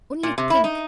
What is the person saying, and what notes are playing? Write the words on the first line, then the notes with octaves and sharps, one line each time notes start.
Only think!
A#2
C3
E4
D#4